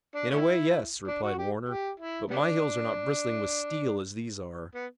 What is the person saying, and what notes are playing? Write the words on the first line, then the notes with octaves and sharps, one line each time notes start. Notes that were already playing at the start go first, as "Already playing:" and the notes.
"In a way, yes," replied Warner, "but my hills are not bristling with steel as these are."
D4
A3 C#4 E4
D4
F#4
G4
G4
E4
G3 B3 D4
B3